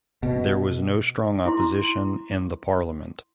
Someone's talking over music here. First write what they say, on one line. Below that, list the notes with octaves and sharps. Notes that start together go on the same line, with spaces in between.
There was no strong opposition in the parliament.
B2
E4 C6